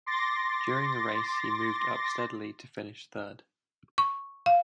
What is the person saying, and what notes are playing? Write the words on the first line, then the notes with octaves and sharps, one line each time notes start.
During the race, he moved up steadily to finish third.
C6 D6 A6 A#6
C#6
F5